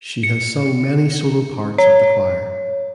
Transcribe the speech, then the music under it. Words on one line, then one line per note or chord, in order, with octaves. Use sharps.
She has sung many solo parts at the choir.
C#7
C#5